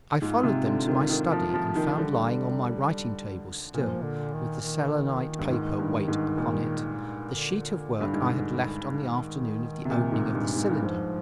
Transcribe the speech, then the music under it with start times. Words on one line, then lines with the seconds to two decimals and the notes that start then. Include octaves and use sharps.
I followed them to my study, and found lying on my writing-table still, with the selenite paper weight upon it, the sheet of work I had left on the afternoon of the opening of the cylinder.
0.21 G#2 F4
0.43 C3
0.66 D3
0.88 D#3
1.09 D#3
1.32 F3
1.54 F3
1.75 D#3
1.98 D3 G3
3.74 A#2 F3
4.03 D3
4.33 D#3
4.62 D#3
5.39 G2
5.50 G#2
5.79 G2
6.08 G#2
6.37 A#2
7.25 D3
8.00 G2
8.13 G#2
9.02 D#3
9.85 C3
9.90 A#2
10.12 G#2
10.34 G2
10.56 G#2
10.69 G2
10.78 G#2 F3